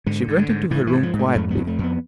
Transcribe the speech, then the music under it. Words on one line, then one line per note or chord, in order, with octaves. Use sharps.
She went into her room quietly.
G#2 D3
G#2
D3
G#2
G#2 E3
E3
G#2
F3
G#2
A3
F2 A3
B3
F2
A3
F2 B3